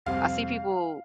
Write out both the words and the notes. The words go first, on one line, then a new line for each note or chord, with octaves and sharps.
I see people
F2 C3 G3 C4 F5